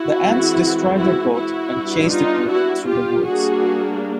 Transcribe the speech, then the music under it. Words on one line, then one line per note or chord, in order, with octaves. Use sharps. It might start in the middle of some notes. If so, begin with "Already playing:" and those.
The ants destroy their boat and chase the group through the woods.
Already playing: E4 F#4
E3 G#3 C4
E4 F#4
E4 F#4
G3 B3 D4
D#4 F4
E4 F#4
F4 G4
G3 A#3 D4 F#4 G#4